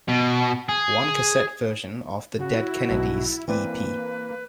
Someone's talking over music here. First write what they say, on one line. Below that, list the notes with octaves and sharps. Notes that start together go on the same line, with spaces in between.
One cassette version of the Dead Kennedys e.p.
B2
G#4
C#3 F#4
E4
B1 B2
E3 A#3 C4 B4 D5